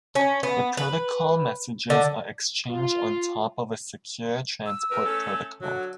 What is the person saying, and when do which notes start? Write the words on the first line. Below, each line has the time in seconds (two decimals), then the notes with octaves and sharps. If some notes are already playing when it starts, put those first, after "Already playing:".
The protocol messages are exchanged on top of a secure transport protocol.
0.15 C#4
0.43 B3
0.77 B4
1.90 D3
2.70 F4
4.66 E6
4.91 E2 A#4 B4
5.04 A3 C#4 A4
5.61 D3 F#3